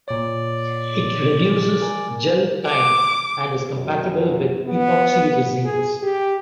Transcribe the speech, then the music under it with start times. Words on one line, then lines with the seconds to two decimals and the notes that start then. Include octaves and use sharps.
It reduces gel time and is compatible with epoxy resins.
0.08 A#2 C#5 D5
1.82 A#4 G#5
2.67 D6
3.75 F#2
4.65 B3
5.65 G#4
6.03 G4